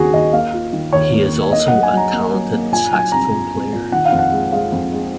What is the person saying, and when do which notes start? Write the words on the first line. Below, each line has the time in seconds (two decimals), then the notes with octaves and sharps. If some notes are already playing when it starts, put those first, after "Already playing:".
He is also a talented saxophone player.
Already playing: D#2 C#3 C4 F#4 G#4
0.13 D#2 D#5
0.33 A#3 F5
0.53 F4
0.73 D#3
0.93 D#2 C#5
1.13 A#3
1.33 D#2
1.52 A#3 D#5
1.68 F#3 F#5
1.83 G#5
1.93 F#3 A#5
2.13 A#3
2.33 F#3
2.53 A#3
2.72 A#2 G#5
2.92 F#3 G#5
3.12 C2 A#5
3.32 A#2
3.53 C2
3.73 A#2
3.92 D#3 F#5
4.05 F5
4.12 F2
4.19 F#5
4.32 G#3
4.52 G#3 F5
4.72 F2
4.92 G#3